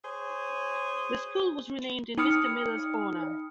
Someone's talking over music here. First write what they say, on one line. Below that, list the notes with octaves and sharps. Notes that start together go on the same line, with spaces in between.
The school was renamed in Mr. Miller's honor.
G#4 C5 C#5
D#4 G5 B5 D#6 F6 C#7